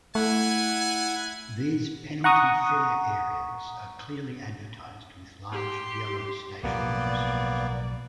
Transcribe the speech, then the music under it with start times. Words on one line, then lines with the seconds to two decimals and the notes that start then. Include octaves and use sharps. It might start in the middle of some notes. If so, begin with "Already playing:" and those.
These penalty fare areas are clearly advertised with large yellow station posters.
0.15 A3 E4 F#5 G#5
2.24 F#5 A#5 C#6 D#6
5.52 G4 C6
6.63 B1 A2 F3 A#3 B3 D5